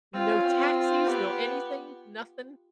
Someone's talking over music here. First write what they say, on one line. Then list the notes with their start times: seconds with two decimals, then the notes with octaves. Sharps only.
No taxis, no anything, nothing.
0.14 C4 F4
0.29 C#4
0.45 C4
0.77 F4
1.07 B3 G4